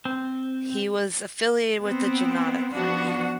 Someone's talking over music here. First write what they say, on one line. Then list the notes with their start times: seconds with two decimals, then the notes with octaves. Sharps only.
He was affiliated with Janata Party.
0.05 C4
1.84 B3 C4
2.74 F3 B3 D4 F#4